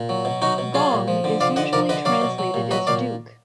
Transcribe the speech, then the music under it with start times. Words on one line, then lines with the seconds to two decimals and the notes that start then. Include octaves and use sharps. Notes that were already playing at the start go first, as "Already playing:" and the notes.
"Gong" is usually translated as "duke".
Already playing: A#2
0.09 F#3
0.25 B2
0.42 F#3 D#4 F#4
0.58 B2
0.74 F#3 F4 G#4
0.91 A#2
1.08 F3
1.24 D3
1.41 F3 D5 F5
1.56 D3 D#5 F#5
1.73 F3 A#4 D5
1.89 D3 B4 D#5
2.05 F#3 D5 F5
2.22 B2
2.38 F#3
2.54 A#2
2.71 F#3 B4 D#5
2.87 A#2 D5 F5